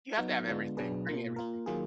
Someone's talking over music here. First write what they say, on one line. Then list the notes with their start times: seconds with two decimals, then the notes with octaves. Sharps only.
You have to have everything, bring everything.
0.17 F#3 B3 D#4 F#4
0.48 D3 G#3 B3 D4 F4
0.77 B2 F#3 D4 G#4 B4
1.07 B2 A#3 F4
1.36 A#3 F4 A#4
1.66 D#3 F#3 A#3 F4 G#4